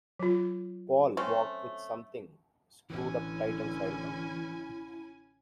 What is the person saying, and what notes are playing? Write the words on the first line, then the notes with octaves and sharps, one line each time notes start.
Paul walked with something screwed up tight inside him.
F#3 F4
A3 C4 C#4
A1 D3 E3 C#4 E4 G#5